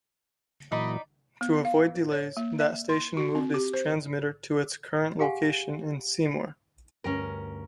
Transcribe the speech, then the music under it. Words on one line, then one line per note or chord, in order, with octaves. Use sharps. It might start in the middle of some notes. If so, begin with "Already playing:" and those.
To avoid delays, that station moved its transmitter to its current location in Seymour.
A#2 E3 F#3 D#4 D5 D#5 B5
B3
F5
C#5
A#3
E5
C6
F#4
C4
G4
C5
G4 G#4 F5 F#5 G#5
D2 G2 C#4 A#4 G#5